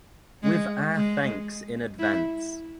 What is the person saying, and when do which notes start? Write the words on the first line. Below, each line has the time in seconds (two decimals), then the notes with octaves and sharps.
With our thanks in advance.
0.43 G#3
0.95 G#3
1.99 E4